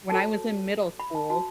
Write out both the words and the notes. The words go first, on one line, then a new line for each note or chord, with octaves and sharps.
When I was in middle school
F#4 A4 C#5 A5
B5
A5
F#4 B4 A5